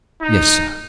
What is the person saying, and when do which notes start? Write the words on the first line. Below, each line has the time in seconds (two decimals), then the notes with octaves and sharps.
"Yes, sir."
0.22 D#4